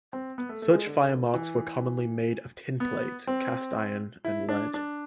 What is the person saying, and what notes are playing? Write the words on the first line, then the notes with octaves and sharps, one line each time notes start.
Such fire marks were commonly made of tinplate, cast iron and lead.
C4
B3
A3
A3
G#3
D3
E3
B3
C4
E4
D4
D4